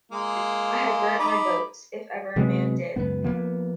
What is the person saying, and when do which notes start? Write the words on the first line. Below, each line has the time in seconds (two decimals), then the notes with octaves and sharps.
I had burnt my boats — if ever a man did!
0.12 G#3 A#3 F4
1.19 D#4 B5 D6
2.36 C3 F#3 G#3 B3
2.96 C#2 F#2 B3
3.24 F3 A#3 B3